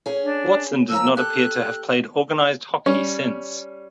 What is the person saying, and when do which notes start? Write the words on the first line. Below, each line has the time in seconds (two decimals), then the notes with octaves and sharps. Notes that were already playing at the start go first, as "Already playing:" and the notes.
Watson does not appear to have played organized hockey since.
0.06 C#4 G#4
0.23 D4
0.89 D#2 F3 A#5 E6
1.17 G4 A4 F#6
2.86 G3 C#4